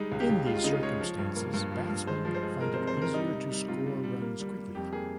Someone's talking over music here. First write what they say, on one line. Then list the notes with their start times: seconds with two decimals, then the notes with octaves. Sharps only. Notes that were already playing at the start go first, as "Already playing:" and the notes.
In these circumstances, batsmen find it easier to score runs quickly.
Already playing: G3 G#3 D#4
0.12 C#2
0.20 G4
0.29 C#2
0.46 G#3 F4
0.57 F4
0.64 C#3 D#4
0.82 G#3 C#5
1.01 F3
1.19 G2
1.36 A#3
1.54 G2
1.72 F3
1.90 G2
2.07 G#3 C5
2.25 F3
2.34 C5
2.43 G#3
2.60 G#3 A#4
2.74 C5
2.79 C3
2.87 C5
2.97 C3 A#4
3.14 G3 D#4
3.33 C3
3.51 G3
3.68 C3 F4
3.86 G3
4.04 G3
4.22 A#3
4.40 G3
4.57 G3
4.75 F2 G4
4.93 A#3 G#4